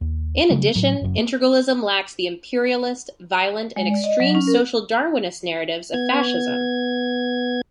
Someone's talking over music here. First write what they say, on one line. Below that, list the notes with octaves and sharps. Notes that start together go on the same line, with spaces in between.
In addition, integralism lacks the imperialist, violent, and extreme social darwinist narratives of Fascism.
D#2
C#3 F#3 G3 A3
A2 F#3
F#1 F#2
A#3
G#3
D5
D#5
F#3
C#4
A#4
B3 G#6